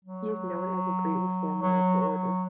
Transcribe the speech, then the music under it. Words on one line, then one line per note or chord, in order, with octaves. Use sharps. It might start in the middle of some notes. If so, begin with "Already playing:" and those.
He is known as a great reformer of the order.
F#3
F#3
F#3